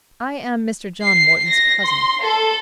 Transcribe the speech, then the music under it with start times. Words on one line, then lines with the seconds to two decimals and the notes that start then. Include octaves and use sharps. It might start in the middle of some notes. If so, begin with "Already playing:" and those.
"I am Mr. John Morton's cousin."
1.03 C7
1.48 A#6
1.84 C6
2.23 A4